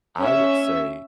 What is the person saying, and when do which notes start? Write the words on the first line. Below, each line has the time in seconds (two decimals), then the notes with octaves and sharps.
I would say
0.21 C#4 E5